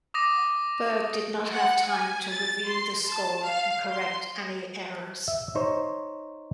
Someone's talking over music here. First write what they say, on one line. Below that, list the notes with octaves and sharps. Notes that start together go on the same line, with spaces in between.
Berg did not have time to review the score and correct any errors.
D6 D#6 A#6 D#7
F#5
G#5
A6
C6
A5
F5
C6
E5
D#4 C5 C#5